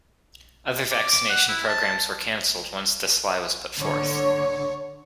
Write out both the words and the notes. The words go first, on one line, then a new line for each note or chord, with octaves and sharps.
Other vaccination programmes were canceled once this lie was put forth.
D5
D6
F#5
E4
A5
D3 C#5